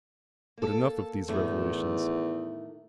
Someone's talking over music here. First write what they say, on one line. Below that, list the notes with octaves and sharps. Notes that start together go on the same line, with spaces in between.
But enough of these revelations.
A#3 A4
E2 A2 D#3 A3